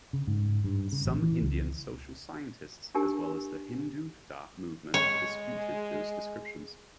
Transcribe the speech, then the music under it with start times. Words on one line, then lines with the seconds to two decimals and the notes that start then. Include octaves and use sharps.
Some Indian social scientists, as well as the Hindutva movement, dispute those descriptions.
0.13 C#3
0.28 G#2
0.64 G2
0.92 C#3
1.05 A1
1.22 E3
1.42 C#2
2.95 D4 D#4 G4 A#4 G#5
4.94 G#3 C#5